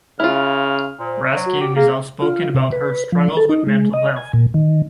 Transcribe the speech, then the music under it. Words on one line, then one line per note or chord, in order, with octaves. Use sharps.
Raskin is outspoken about her struggles with mental health.
C#3 E4 F4 F6
A#2 C5
F#3
F#4
G4
A#3 G#4
F4
C3
B4
F3
A4
D#4
G#3
D#5
G#5
A#2
D#3